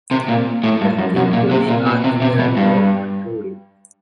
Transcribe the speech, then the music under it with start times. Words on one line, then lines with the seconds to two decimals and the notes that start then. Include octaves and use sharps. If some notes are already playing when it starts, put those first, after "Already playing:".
The cinguli are thinner and more protruding.
0.11 C3
0.28 A#2
0.64 A2
0.81 G2
0.99 F#2
1.16 F#2
1.33 A#2
1.51 C3
1.69 A#2
1.87 B2
2.04 C3
2.22 C3
2.40 B2
2.57 G2